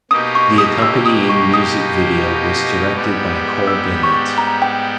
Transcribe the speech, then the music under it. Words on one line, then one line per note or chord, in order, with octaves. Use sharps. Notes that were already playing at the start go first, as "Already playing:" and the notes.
The accompanying music video was directed by Cole Bennett.
B2 A#3 D#4 G4 D#6
C#6
D#6
E6
D#6
C#6
D#6
G#2 G3 B3 G4
E6
C#6
A#5
G5